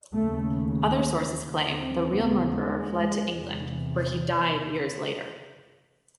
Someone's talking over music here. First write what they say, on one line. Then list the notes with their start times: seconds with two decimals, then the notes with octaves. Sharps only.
Other sources claim the real murderer fled to England where he died years later.
0.13 D#2 C#3 A3
0.92 A#3
1.71 D#2 C#3 C4
2.10 B3
2.51 G#3
3.30 E2 C3